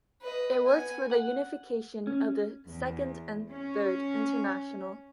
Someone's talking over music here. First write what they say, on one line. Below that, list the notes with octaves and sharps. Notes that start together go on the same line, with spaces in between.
It worked for the unification of the Second and Third Internationals.
B4 D#5
B3 G#5
F#5
C#4
E2
C#4